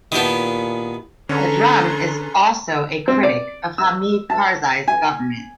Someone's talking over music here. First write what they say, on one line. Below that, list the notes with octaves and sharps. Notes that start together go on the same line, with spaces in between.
Pedram is also a critic of Hamid Karzai's government.
A#2 D#3 B3 E4 G4 A5
D3 C#4 G#4 A4 B4 C#5 A#5 C6
C4
D5
E6
A5
G#5